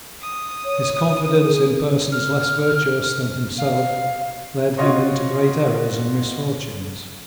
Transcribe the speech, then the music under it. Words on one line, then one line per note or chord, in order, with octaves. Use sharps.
His confidence in persons less virtuous than himself led him into great errors and misfortunes.
D#6
C#5
G#4
F6
F5
F4 F#4 C#5 D#5 C6 C#6